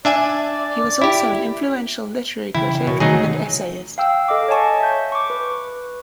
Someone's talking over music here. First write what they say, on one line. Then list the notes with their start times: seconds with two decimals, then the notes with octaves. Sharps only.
He was also an influential literary critic and essayist.
0.05 D4 D5 E5 G#5
1.02 E4 G4
2.55 C#3 E3 E4 G5
2.87 B2 A#4 C#5
3.00 C3 D#3 F#3 A3 D#4 G#4
3.98 F5 G5 E6
4.28 A4 D#5 F5 D6
4.48 C#5 D#5 G#5 A5 C#6
4.80 E5 G6
5.12 C#6 D6
5.30 B4